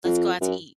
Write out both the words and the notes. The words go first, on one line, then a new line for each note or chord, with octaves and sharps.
"Let's go out to eat."
F2
F#2